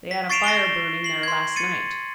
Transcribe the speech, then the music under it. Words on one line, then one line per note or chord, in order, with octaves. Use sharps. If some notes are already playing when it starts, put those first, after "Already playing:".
"They had a fire burning there last night."
B6
C#6 A6 C7 D7 E7 F7
A#6 C7 D7 G7
C7 F#7
C6 G#6
A6 C#7 D#7